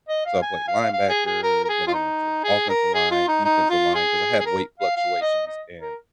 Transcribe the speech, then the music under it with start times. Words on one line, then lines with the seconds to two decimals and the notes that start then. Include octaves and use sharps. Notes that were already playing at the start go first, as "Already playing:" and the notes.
so, I played linebacker, then I went to offensive line, defensive line, 'cause I had weight fluctuations, and
0.08 D#5
0.25 F5
0.42 G#5
0.68 F5
0.93 F5
1.09 G#4
1.26 G#4
1.43 A#4
1.64 A#4
1.69 G#4
1.87 F4
1.94 D#4
2.44 G#4
2.69 A#4
2.94 G#4
3.11 F4
3.28 D#4
3.45 D#4
3.70 F4
3.95 G#4
4.40 G#4
4.46 A#4
4.79 F5
4.96 F5
5.21 D#5
5.47 D#5
5.80 A#4